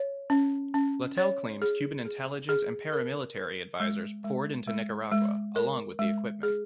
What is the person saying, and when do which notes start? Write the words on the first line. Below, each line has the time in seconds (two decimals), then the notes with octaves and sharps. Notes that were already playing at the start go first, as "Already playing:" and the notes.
Latell claims Cuban intelligence and paramilitary advisors poured into Nicaragua along with the equipment.
Already playing: C#5
0.30 C#4
0.74 C#4
1.18 C#5
1.62 G#4
2.05 G#4
2.49 G#4
2.92 A#4
3.37 A#4
3.80 G#3
4.24 G#3
4.68 G#3
5.12 G#3
5.56 A#4
5.99 G#3
6.43 G#4